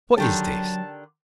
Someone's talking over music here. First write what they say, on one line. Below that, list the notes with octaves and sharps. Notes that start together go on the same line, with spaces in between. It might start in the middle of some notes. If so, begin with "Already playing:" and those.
What is this?
D3 D#3 F#3 G4 A5